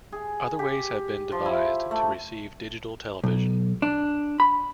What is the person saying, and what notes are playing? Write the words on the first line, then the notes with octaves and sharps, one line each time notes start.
Other ways have been devised to receive digital television.
G#4
G4
F3
E4
A3
B1
D4
B5